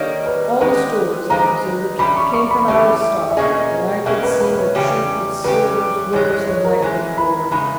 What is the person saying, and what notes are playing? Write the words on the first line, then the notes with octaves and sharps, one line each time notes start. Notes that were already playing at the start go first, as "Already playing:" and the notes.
All the stores, I observed, came from our stock, and I could see the truth of Silver's words the night before.
Already playing: D#3 G3 A#3 C#5 D#5
B4
D#3 G#3 D#4 G4 B4
D#3 G#3 D#4 G4 A#5
E3 G3 C#4 G4 B5
C#6
C#6
B5
E3 G3 C#4 G4 E5
E5
B2 A#3 C#4 G#4 D#5
B2 A#3 C#4 G#4 E5
B4
B4
B4
C#5
E2 C#3 G3 C#4 G4
E2 C#3 G3 C#4 G4 B4
G#2 E3 G#3 C#5
C#5
C#5
A#4
G#2 E3 G#3 G#5
B5
E2 C#3 G#3 D#4 B5